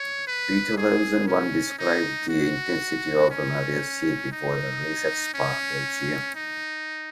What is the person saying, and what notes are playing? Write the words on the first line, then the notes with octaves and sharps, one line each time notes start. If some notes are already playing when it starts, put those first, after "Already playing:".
Peter Revson once described the intensity of Mairesse before a race at Spa, Belgium.
Already playing: C#5
B4
G#4
C#4
D#4
F#4
C#4
D#4
C#4
D#4